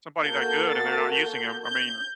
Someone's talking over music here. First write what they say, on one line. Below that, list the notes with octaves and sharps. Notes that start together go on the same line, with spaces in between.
somebody that good, and they're not using him, I mean
A#3 F#4 A4 G6
A6
G6
G6